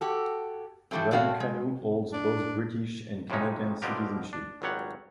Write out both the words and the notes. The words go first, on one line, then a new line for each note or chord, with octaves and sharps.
Raducanu holds both British and Canadian citizenship.
F#4 G4 A4
E3 F3 G3 A3 C4
A3 B3 C4 F#4 D5 F5
G#3
D4
F2 A2 C3 G#3 C#4 D#4
B2 D3 F3 F4 G4 A#4
D4
G#1 C#2 F#3 G3 C#5 F#5